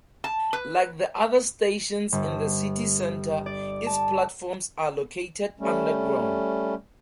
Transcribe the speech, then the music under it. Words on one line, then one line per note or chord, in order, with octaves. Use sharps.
Like the other stations in the city centre, its platforms are located underground.
A5
B4
G1
D5
A5
G3 A3 C#4